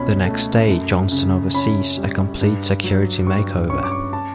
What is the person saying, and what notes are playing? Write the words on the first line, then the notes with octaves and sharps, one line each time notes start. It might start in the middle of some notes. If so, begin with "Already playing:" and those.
The next day, Johnston oversees a complete security makeover.
Already playing: C#2 B2 C#4 B5
A3
F#2
C#3
C#4 B5
G3
G2
F#3
G2 C#6
C#4 C#6
D6
C#6
A5